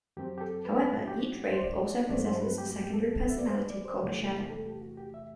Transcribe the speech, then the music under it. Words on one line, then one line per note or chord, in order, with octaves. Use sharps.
However, each Wraith also possesses a secondary personality called a Shadow.
F#2 F#3 C4 G4
G4
A4
B4
B4
F#4
G4
F#4
C5
D5
G2 F#3 A3 C4 D5
C5
A4
B4
G4
F#4
G4
A4
E5
D5
C5
B4
D5
C5
E2 C3 E3 A3
G4
A4
G4
F#4
G4
E5